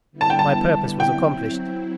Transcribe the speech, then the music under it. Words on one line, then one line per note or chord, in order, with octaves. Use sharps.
My purpose was accomplished.
D3 G3 B3 E4
A5
G5
A5
F#3 C4 E4 G5